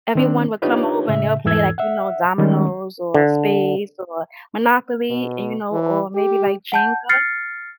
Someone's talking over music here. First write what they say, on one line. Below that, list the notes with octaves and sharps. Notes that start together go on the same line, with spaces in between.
everyone would come over and they'll play like, you know, dominoes or spades or Monopoly, and, you know, or maybe, like, Jenga.
D#3 C4 D4
D4 D#4 F4 G4 B4 C#5
A2 C#3 E5
E2 G#2 E3 A4 E6 G#6
E5 F#5
D#3 G3 G#3 C#4
D3
B2
E3
G4
F#5 A5 G6
F6 A6 C7 C#7